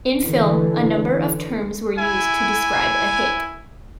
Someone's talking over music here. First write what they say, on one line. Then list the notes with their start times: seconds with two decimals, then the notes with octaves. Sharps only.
In film, a number of terms were used to describe a hit.
0.19 D3 E3
1.97 E4 G#5